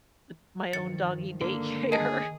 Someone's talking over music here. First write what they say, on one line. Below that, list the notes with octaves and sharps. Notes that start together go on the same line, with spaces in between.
m my own doggy daycare.
G2 D#3 F3 A6 C#7
D3 A#3
D#3 G#4 D#5 A5